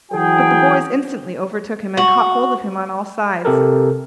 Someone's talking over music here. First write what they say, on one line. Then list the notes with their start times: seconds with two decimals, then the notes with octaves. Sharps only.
But the boys instantly overtook him and caught hold of him on all sides.
0.11 E3 F#3 F#4 G#4 G5
1.97 F#4
3.45 C3 G4 A4 A#4